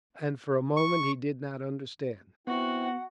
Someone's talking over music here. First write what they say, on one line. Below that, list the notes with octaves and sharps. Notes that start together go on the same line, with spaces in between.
And for a moment he did not understand.
C#6
B3 C4 E4 F#4 F#5